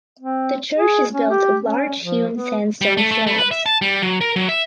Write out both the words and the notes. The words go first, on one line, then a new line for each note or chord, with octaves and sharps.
The church is built of large hewn sandstone slabs.
C4
G#4
C#4
G4
C#4
F3
B3
G3
A3
A3
A3
B4
E5
A5
G3
F#3
A#4
F#3
E5